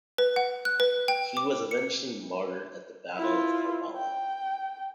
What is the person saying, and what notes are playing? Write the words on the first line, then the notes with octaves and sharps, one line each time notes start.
He was eventually martyred at the Battle of Karbala.
B4
F#5
F#6
B4
G5
D6
C#7
E4 F4
G5